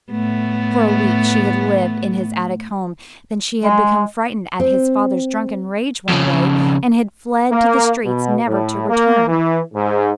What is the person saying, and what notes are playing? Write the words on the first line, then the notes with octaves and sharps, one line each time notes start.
For a week she had lived in his attic home, then she had become frightened at his father's drunken rage, one day, and had fled to the streets, never to return.
A2 A3 B3
G#3
C4
F2 C#3
A#3
B2
A2
A#3
E3
G#2